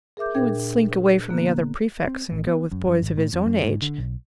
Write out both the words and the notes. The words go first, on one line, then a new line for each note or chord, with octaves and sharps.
He would slink away from the other prefects and go with boys of his own age.
G#4 A#4 E5 D6 G6
A#2 D4 G#4 A#4 G5 G#6
D3 A#3 B3 F#6
C4
A1
B3
F#2
F#2
G#1
A2
F2
F#2
G#2
D3
B1